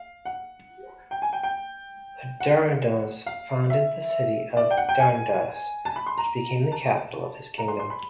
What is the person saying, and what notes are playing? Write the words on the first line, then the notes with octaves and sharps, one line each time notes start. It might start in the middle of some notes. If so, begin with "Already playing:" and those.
There Dardanus founded the city of Dardanus which became the capital of his kingdom.
Already playing: F5
F#5
G5
G#5
G5
G5
F#5
F5
E5
D5
G5
F#5
G5
G#5
A5
B5
C6
A#5
A5
A#5
C6
C6
B5